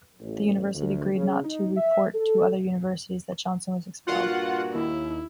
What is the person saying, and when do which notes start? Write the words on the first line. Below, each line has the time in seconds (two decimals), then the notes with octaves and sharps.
The university agreed to not report to other universities that Johnson was expelled.
0.21 A1
0.75 D2
1.14 C#3
1.44 D#4
1.77 E5
2.15 A4
4.07 G2 A#2 F4 F#4 F#5
4.74 D#2 E4